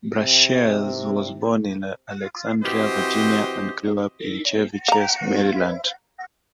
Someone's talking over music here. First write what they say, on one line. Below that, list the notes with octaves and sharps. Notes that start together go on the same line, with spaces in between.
Brashares was born in Alexandria, Virginia and grew up in Chevy Chase, Maryland.
C3
E3 C4 F#4 G4 C5 D#5
F5 A#5